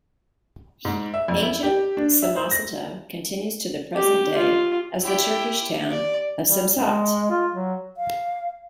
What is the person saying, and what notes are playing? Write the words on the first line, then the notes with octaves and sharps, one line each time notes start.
Ancient Samosata continues to the present day as the Turkish town of Samsat.
G#2
E5
F2
E4
G4
D4
E5
C5
A#6
G4
F4
E4 G4
D5
G3
G#3
F4
F#3
F5